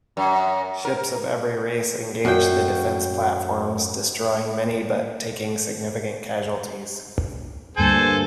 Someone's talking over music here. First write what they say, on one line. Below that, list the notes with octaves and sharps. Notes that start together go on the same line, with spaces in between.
Ships of every race engage the defense platforms, destroying many but taking significant casualties.
F#2
A#4
F#2 G5
D2 G2 A#3 A4 C5 G#5